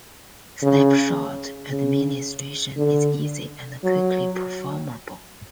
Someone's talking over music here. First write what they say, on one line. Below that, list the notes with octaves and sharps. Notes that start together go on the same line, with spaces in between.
Snapshot administration is easy and quickly performable.
C#3
C#3
D3
F#3